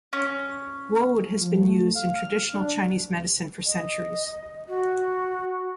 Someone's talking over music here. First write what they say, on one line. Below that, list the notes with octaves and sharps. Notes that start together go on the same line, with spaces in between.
Woad has been used in traditional Chinese medicine for centuries.
C#4
F3
A3
F5
F6
D4
D#5
F#4